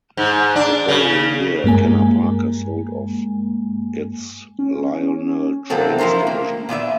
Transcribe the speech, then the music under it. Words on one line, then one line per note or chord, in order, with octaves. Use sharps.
The following year Kenner Parker sold off its Lionel Trains division.
G#2
D4
C#3
G2 G#3 A#3 G#5
C#4
C3 F#3 A#3 C4 A4
F3 E4 F4 A#4 C5
A#3
A#2 B3 D5 E5